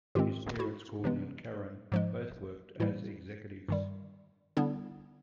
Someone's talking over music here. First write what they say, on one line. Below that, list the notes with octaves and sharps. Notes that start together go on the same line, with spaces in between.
His parents, Gordon and Karen, both worked as executives.
G#2 D#3 G#3 C4 F4 G4
E4 F#4
C3 E3 G#3 B3
G#2 F3 G#3
A2 E3 G3 A#3 E4
G2 D#3 G3
D3 G3 B3 D4 E4